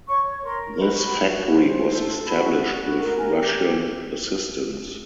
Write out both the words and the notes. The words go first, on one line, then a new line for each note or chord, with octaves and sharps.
This factory was established with Russian assistance.
C#5 C#6
A#4 C6
F#4 B5
F#4
C5
A4
F#4 B5
F#4
A#4
G#5
G4 G5